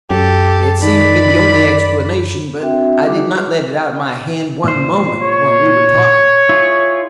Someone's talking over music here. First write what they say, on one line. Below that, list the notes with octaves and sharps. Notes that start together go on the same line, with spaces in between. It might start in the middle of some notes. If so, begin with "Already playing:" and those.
It seems to be the only explanation, but I did not let it out of my hand one moment while we were talking.
F#2 G4 A4
D#3 D5 B5
C4 D4 F#4 E5 G5
G3 D#4 F#4 G#4 D6
A#2 C5
C#5
E4 F4 G#4